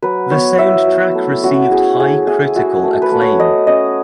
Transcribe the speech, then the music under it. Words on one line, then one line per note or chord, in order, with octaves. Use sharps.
The soundtrack received high critical acclaim.
F#3 B4
B3 C#5
E4 E5
F#3
A3
C#4 F#4
E4 G#4
A3 G#4
E4 G#4
E4 F#4
A3
B4
A3
C#5
A3 D#5
C#4 D#5